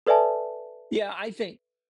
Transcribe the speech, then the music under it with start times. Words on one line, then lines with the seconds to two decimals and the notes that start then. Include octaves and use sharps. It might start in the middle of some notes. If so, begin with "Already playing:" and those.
Yeah, I think
0.07 A4 B4 D5 E5 G#5 A5